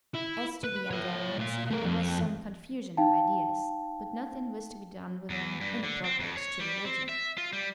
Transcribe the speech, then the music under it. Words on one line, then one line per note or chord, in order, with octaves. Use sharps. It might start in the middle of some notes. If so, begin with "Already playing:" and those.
As to the endowments, there was some confusion of ideas; but nothing was to be done with them inappropriate to religion.
E4
B4
C#5 E5
A#2 F5
A3 A#4
F2
D#4 F5 G5 A5
E2
G2
D3
C4
F2
C#5
G3
C4
E5
F4
G3